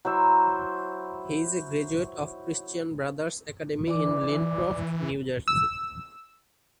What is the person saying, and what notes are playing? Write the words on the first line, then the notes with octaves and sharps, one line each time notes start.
He is a graduate of Christian Brothers Academy in Lincroft, New Jersey.
F#3 E4 C5 E5
E3 D5 D6
E6